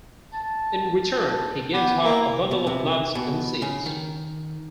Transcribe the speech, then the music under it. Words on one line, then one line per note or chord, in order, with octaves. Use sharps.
In return, he gives her a bundle of nuts and seeds.
A5
A5
B3 G4
A#3 E4
B2
C3
B2
C#3
D#3